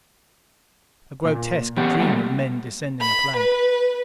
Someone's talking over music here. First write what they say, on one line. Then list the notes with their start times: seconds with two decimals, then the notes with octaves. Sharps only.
A grotesque dream of men descending a plank.
1.25 A#2
1.77 E3 B3 C#4 G4 F#5
1.99 A2 F#3 G3 A3 A#3
3.01 B5
3.36 B4